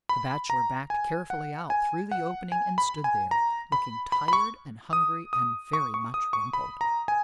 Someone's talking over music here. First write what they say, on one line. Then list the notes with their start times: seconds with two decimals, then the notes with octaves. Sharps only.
The Bachelor backed carefully out through the opening and stood there, looking tired and hungry and very much rumpled.
0.09 B5
0.50 A#5
0.90 G#5
1.30 F#5
1.70 G#5
2.11 F#5
2.52 G#5
2.78 B5
3.04 G#5
3.31 A#5
3.72 B5
4.12 B5
4.28 B5
4.33 C#6
4.93 D#6
5.33 D#6
5.73 C#6
5.94 C#6
6.14 D#6
6.33 C#6
6.53 B5
6.81 A#5
7.08 G#5